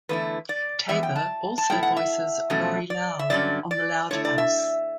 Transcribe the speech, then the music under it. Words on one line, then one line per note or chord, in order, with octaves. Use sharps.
Taber also voices Lori Loud on "The Loud House".
E2 D3 A3 E4 B4
D5
F#2 E3 B3 E5
G5
A5
A5
B2 A3 E4 G5
F#5
E5
E2 B2 F#3 A3 C#4
D5
E5
G2 D3 F#3 C#4 D5
D5
D3 A3 E4 C#5
D5
E5